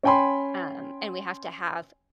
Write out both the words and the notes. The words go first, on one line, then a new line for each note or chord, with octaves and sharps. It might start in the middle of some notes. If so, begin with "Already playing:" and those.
um, and we have to have
C#4 C#5 G5 G#5 B5 C6